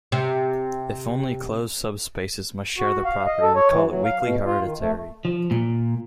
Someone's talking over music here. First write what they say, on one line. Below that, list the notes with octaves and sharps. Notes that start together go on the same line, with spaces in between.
If only closed subspaces must share the property we call it weakly hereditary.
C3
F#4
F5
D#5
A4
C#5
E3
F#3
F5
B2
F4
D#3
A3
F3
A#2